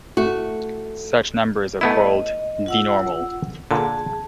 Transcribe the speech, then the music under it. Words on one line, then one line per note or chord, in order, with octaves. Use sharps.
Such numbers are called denormal.
A3 F#4
A3 B3 E4 D#5
F4 F#5 E6
A#2 D3 G#4 A5